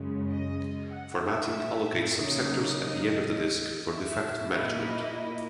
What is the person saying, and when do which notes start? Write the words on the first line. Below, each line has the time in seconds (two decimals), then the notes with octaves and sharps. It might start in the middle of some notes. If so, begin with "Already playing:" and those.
Formatting allocates some sectors at the end of the disk for defect management.
Already playing: F#2 C#3 G#3
0.30 D#5
0.90 F#5
1.20 E5
2.10 C#3 F#3 A#3 D#4
2.71 D#5
3.91 E5
4.51 A#2 A#3 E4 D#5